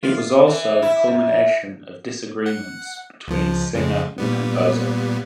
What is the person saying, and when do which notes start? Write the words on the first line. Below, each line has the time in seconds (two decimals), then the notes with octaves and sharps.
It was also the culmination of disagreements between singer and composer.
0.03 F4
0.47 E3
0.82 E4
1.07 F#2
2.46 F#5
3.28 C#2 F3
3.74 F2 C#3 G#3
4.18 A#2 G3 B3